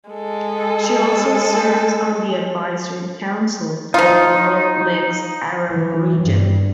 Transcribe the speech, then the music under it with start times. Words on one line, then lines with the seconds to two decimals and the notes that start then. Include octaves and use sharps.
She also serves on the Advisory Council of World Links Arab Region.
0.10 G#3 A4
3.94 F3 D#4 F4
5.70 E3
6.18 G2